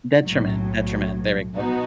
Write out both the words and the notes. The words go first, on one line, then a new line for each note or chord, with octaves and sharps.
Detriment, detriment, there we go.
B1 A2 F#3
B2 F#3 B3 D#4 F#4